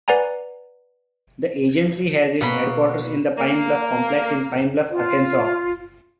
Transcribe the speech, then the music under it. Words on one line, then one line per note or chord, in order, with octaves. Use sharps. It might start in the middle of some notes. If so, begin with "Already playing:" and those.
The agency has its headquarters in the Pine Bluff Complex in Pine Bluff, Arkansas.
B4 D5 F#5 G#5 A#5
B2 A#3 B3 B5
A#3
F4